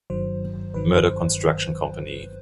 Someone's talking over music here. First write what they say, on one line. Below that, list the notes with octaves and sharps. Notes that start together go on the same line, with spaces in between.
Murdock Construction Company.
G1 G2 D#3 F#3 C5
G1 G2 D#3 F#3 B4
C5